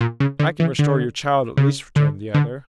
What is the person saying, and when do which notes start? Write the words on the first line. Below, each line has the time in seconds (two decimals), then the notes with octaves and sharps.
"I can restore your child at least," returned the other.
0.01 A#2
0.20 C#3
0.40 D3
0.60 E3
0.79 D3
1.57 C#3
1.96 D3
2.34 D3